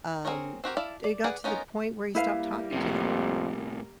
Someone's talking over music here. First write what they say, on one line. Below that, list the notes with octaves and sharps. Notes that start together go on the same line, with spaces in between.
um, it got to the point where he stopped talking to them.
C4 F#4 G#4 A#4 C#5
C4 F#4 G4 A#4
E4 D5 F5 A5
D5
G#4 B4 D5 F#5 G#5
B3 C#4 D#4 F4 A#4
G3 A#3 E4 A#4 B4 F5
A#1 F2 A2 C3